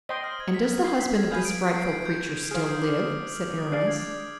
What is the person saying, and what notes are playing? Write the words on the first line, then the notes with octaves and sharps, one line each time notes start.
"And does the husband of this frightful creature still live?" said Aramis.
C5 D#5 G5 C6 D#6
F6
G#6
B6
C7
B6
G#6
G#4 B4 F5 G#5 G6
D7
D7
C7
G6
G6
G6
G#4 C5 F5 F6
D#6
D6
D#6
D6
D#6
F6
D6
D#6
D4 G#4 D5 F5 C7
G#6